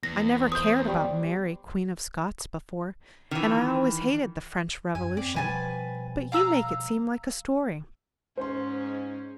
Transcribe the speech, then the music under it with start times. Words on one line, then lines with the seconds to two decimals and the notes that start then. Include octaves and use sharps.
"I never cared about Mary, Queen of Scots, before, and I always hated the French Revolution, but you make it seem like a story."
0.03 E2 B3 A#6
0.52 C5 D#6 G6
0.88 G3 D6
3.31 D#3 E3
4.95 F#2 G#5
5.17 C4 D5
5.34 B2 F3 G3 B4 G#5 A5
6.32 F5 A#5 E6
8.37 G#2 C#4 C5 C6